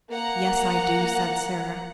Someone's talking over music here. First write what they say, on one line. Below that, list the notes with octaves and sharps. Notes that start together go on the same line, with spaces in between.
"Yes, I do," said Sara.
A#3 F#5 A#5